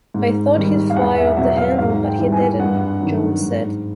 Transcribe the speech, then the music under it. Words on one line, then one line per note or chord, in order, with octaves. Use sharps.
"I thought he'd fly off the handle, but he didn't," Jones said.
G#2
D#3 G3
F5
E2 F#5
E5
B2 F#3 E5
F5
G#2 F5
G5
E3 G3
G#5
G2 F#5
D#3 F#3
G#2